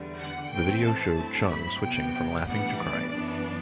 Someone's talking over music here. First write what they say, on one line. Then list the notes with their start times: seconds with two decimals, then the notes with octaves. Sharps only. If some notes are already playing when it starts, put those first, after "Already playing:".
The video showed Chung switching from laughing to crying.
Already playing: E2 D3 G3
0.18 F#5
0.51 A2 E3 A3 C4 G5
0.84 A5
1.16 G2 F#3 A3 C4 E4
1.50 B5
1.81 C3 F#3 B3 G5
2.47 A2 E3 G3 B3 D4 F#5
2.80 D5
3.11 F#2 E3 B3 D4